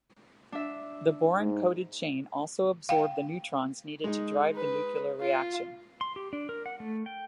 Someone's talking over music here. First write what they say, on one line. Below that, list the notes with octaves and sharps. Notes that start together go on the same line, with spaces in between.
The boron-coated chain also absorbed the neutrons needed to drive the nuclear reaction.
D4 E5
G#2
F5 G5
G#3 D#4
B4
F4
C6
G4
D4
A#4
F#5
A3
G5